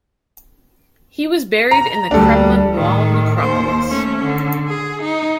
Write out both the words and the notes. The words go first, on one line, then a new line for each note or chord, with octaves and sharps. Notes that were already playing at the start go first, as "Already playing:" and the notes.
He was buried in the Kremlin Wall Necropolis.
A#5
D2 G3 D4 A4
A2 D#3
D#2 C5
A3 C#4
D3
G#4
D#4